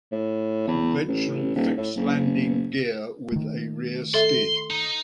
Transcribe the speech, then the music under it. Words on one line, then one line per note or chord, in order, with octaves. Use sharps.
Conventional fixed landing gear, with a rear skid.
A2
E2
A1
D#1
A2
F#1
D#3 A3
A4 E5 C6
D#4